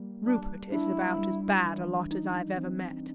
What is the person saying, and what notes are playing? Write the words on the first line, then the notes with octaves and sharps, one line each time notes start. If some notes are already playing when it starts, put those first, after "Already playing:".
Rupert is about as bad a lot as I have ever met.
Already playing: G3 A#3
G3 D4
D4 E4
G3
E3
D#4
C4